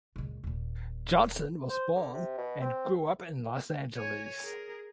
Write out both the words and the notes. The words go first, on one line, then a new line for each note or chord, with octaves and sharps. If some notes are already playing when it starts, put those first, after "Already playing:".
Johnson was born and grew up in Los Angeles.
C#2 A#2
D#1 A#2
C5
D3
C3
B2
C4
C#5 G#5
G#4 A#4